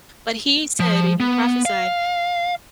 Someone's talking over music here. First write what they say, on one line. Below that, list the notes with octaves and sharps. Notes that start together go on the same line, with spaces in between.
but he said, and he prophesied
F3
B3
F5